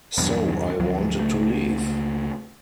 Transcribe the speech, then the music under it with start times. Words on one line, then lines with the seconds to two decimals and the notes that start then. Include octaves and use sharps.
So I wanted to leave.
0.18 B1 E2 G2
0.79 D2 F3 F#3
1.19 C#2 A3